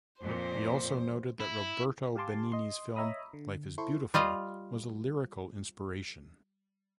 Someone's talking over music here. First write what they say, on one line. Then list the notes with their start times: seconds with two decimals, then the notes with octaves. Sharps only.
He also noted that Roberto Benigni's film "Life Is Beautiful" was a lyrical inspiration.
0.22 F2 A#2 C5
1.40 E4
2.15 G4 F5 G#5 A5 C6 D6
2.52 D#5 C6
2.96 C#5 D#5 E5 A#5 B5 D#6
3.33 D3
3.78 E4 A4 C5 C6 C#6
4.14 G3 F4 D#5 F5